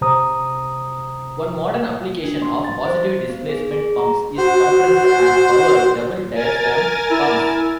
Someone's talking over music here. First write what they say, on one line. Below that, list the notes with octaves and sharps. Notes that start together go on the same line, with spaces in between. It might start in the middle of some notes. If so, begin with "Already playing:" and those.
One modern application of positive displacement pumps is compressed-air-powered double-diaphragm pumps.
C3 C5 A#5 D#6
D4
C6
A6
C5
B3
G#4
G#4
A#5
F#4 C5
A#4 G#5 A6
E4